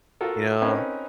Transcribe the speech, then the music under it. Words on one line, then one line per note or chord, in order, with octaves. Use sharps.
You know?
F4 F#4 A4 A#4
C4 C#4 D#4 A#4 B4 C#5